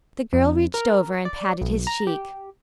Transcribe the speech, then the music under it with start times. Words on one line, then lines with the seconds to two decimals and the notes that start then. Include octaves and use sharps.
The girl reached over and patted his cheek.
0.33 F2
0.74 A#4
1.25 D5
1.61 B1
1.87 A#5
2.07 G4